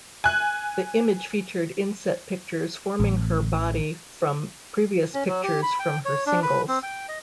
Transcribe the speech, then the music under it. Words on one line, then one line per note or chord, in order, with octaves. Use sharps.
The image featured inset pictures forming her body from previous pictures from her singles.
G#5 F#6
A1
C#4
F#3
G4
B5
G5
C#5
D4
B4
C4
G5
D#5